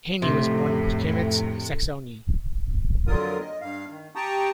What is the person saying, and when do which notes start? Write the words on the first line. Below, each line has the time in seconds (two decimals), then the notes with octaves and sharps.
Heyne was born in Chemnitz, Saxony.
0.22 F2 A2 C3
3.07 F2 D3 F#3 F4 A#4 D#6
3.39 D#5
3.61 G2 F5
3.90 D#3
4.15 G4 G5 A5 A#5 C#6 D#6